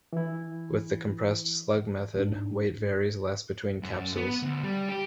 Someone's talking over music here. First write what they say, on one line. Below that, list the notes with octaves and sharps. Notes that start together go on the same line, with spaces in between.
With the compressed slug method, weight varies less between capsules.
E3 E4
G#2 D4
F#2
B3
D2
G3
G4